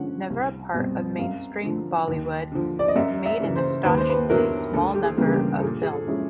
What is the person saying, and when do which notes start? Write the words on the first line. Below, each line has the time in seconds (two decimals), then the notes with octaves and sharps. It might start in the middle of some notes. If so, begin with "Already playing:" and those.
Never a part of mainstream "Bollywood", he's made an astonishingly small number of films.
Already playing: D3 F3 G#3 C#4 F#5
0.30 C2
0.74 B2 G3 C4
1.18 F#2 F5
1.63 D3 F3
2.08 D#2
2.52 D3 F3
2.79 D5
2.88 D#5
2.96 F#2 E5
3.26 E5
3.40 C#3 E3
3.56 C5
3.85 D#2 B4
3.97 C5
4.10 B4
4.29 D3 F#3 B3 E4 A#4
4.73 D2 A4
4.94 G4
5.03 G#4
5.18 C#3 E3 G3 A#3
5.26 G#4
5.33 G4
5.58 A4
5.62 A#2 G#4
5.82 G#4
5.92 A4
6.07 F3 G#3 C#4 E4